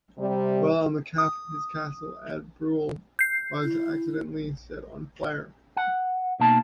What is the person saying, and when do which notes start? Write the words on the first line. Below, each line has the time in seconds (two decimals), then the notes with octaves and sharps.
While on the Calf his castle at Barrule was accidentally set on fire.
0.19 C3 G3
1.18 D#6
3.19 G6 C7
3.63 E4
5.77 F#5
6.40 B2 A#3 D#4 A5